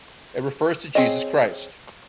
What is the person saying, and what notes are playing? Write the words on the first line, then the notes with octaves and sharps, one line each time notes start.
It refers to Jesus Christ.
C4 G#4 C#5 D#5